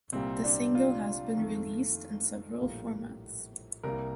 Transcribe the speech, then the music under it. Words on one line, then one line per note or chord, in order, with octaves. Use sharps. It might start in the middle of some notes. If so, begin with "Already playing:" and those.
The single has been released in several formats.
C2 A#2 G3 A#3 C4
D4
F4
F2 D#3 A3
A#1 A2 G3 A#3
C2 C3 G3 A#3 A#4